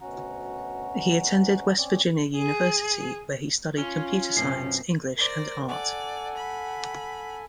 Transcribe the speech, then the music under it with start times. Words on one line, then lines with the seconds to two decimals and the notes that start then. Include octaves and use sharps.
He attended West Virginia University, where he studied computer science, English, and art.
0.01 D2 B2 C#4 F#4 F#5 A#5
1.78 C4 C#4 C#5 D5
2.36 G#4
3.78 C#4 F4 G7
4.37 F#2 B2 C4 C7
5.16 A#4 C5 D5 A#6
5.67 A4 D5 F#5 G#5
6.36 B5